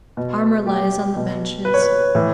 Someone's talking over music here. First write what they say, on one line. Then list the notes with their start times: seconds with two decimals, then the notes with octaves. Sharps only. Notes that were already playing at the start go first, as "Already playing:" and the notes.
Armor lies on the benches.
0.17 B2
0.67 G4
1.16 B2
1.65 B4
1.74 C#5
1.82 B4
2.15 A2 E3